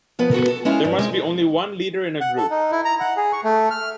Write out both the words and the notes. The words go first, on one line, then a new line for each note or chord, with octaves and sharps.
There must be only one leader in a group.
F3 B3 B4
B3 F#4 A4 A#4
A4
G#3 C#4 E4 F4
G2
G#3 C4
F#5
A4
D#4
E4
A#5
F#5
G#4
C#6
A3
F6